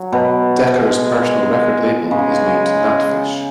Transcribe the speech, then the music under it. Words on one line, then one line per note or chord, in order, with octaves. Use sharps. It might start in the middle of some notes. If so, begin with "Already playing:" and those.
Decker's personal record label is named GnatFish.
Already playing: F#3
B2
G#3
C#3 G#3